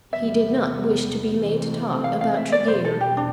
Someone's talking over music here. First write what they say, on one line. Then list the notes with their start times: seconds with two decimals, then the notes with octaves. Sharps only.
He did not wish to be made to talk about Tregear.
0.12 E2 C3 G3 B3 E5
1.41 C3 E3 A3 C4
2.04 F5
2.21 F5
2.37 E5
2.52 D5
2.68 E2 B2 G3 C5
2.84 A4
3.01 G4
3.17 D4